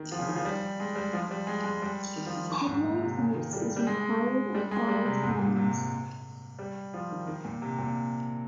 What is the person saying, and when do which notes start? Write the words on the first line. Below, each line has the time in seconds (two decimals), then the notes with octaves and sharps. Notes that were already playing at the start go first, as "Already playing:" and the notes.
Headlight use is required at all times.
Already playing: D#3
0.11 F3
0.19 C#3
0.27 D#3
0.36 F3
0.45 G3
0.80 G#3
0.96 G3
1.13 F3
1.31 G3
1.47 G#3
1.64 G#3
1.82 G3
2.16 D#3
2.26 F3
2.36 D#3
2.50 D#3
2.67 G#2
2.83 A#2
3.01 C3
3.18 C#3
3.35 D#3
3.53 G3
3.76 G3
3.87 G#3
4.55 G3
4.71 G#3
4.88 G3
5.05 C3
5.23 G#2
5.39 A#2
5.56 C3
6.59 G3
6.94 F3
7.11 D#3
7.27 D#3
7.45 A#2
7.62 C3
7.78 A#2